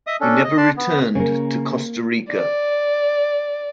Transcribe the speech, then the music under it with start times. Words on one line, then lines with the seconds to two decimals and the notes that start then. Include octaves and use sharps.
He never returned to Costa Rica.
0.07 D#5 E5 D#6
0.21 C#4 D4 A4
0.44 D#5
0.57 D4 D5 A5 C6
0.77 B3
1.15 C#3 A#3 C#4 A#4
2.31 D5